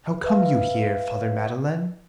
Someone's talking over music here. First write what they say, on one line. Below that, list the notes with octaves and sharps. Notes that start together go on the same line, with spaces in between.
How come you here, Father Madeleine?
B4 E5 F5